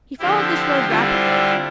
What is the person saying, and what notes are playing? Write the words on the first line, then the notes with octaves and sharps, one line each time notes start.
He followed this road rapidly.
D3 F3 C4 E4 G4
D3 G3 C4 E4 F4